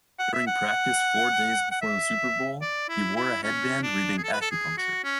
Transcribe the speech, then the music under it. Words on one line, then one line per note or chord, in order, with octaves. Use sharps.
During practice four days before the Super Bowl, he wore a headband reading "Acupuncture".
F#5
E5
F#5
F#5
E5
D5
E4
E4
C#4
D4
G#4
A4
B4
A4
G#4
F#4
C#4